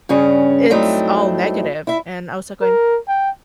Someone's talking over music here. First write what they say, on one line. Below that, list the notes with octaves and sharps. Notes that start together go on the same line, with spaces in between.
it's all negative. And I was, like, going,
G2 C#3 C#4 G#4
G2 F#3 A3 C4 D#4 E4
E4 E5
A#4
G5